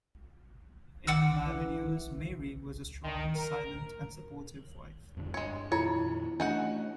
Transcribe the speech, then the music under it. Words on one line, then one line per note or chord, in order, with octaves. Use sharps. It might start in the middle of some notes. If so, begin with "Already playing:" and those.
In her married years Mary was a strong, silent, and supportive wife.
F#5 D6 E6
E3
D#3
A#4
F2 G#2 D3
G2 G#3 C#5
F2 A#2 D#3 E4 F4 C#5 A#5
E3 A3 D4 D#4 F#4 F#5